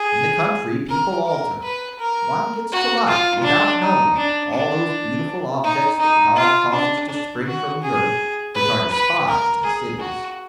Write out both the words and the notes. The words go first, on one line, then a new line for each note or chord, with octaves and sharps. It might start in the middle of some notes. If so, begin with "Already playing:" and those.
In the country people alter; one gets to like, without knowing it, all those beautiful objects that God causes to spring from the earth, which are despised in cities.
Already playing: G#4
A#4
A#4
B4
A#4
F#4
F4
D4
D#4
D4
D4
D#4
D#4
F4
D4
D4
F#4
G#4
B4
B4
A#4
G#4
F#4